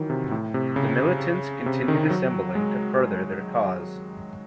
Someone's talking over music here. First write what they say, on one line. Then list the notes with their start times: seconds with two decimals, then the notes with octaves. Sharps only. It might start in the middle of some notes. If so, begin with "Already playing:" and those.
The militants continued assembling to further their cause.
Already playing: D#3 E3 F#3
0.10 C3
0.31 A2
0.54 C3
0.76 C#3
1.66 C3
1.88 D#3
2.10 F#3
2.55 G#3